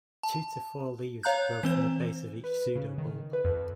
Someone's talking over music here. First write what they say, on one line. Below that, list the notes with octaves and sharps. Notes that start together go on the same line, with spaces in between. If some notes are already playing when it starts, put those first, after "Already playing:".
Two to four leaves grow from the base of each pseudobulb.
A5
C#5 F5 A#5 F#6 G6
E3 C4 C5
B4
C#3
D#3
B4
F2